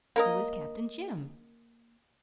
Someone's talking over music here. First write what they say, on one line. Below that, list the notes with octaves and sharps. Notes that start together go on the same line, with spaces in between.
"Who is Captain Jim?"
A#3 A#4 D#5